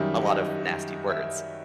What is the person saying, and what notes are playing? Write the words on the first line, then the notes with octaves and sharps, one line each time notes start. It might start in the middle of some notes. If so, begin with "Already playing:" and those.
a lot of nasty words.
Already playing: F#2 D#3 G3 E5
D#5
E5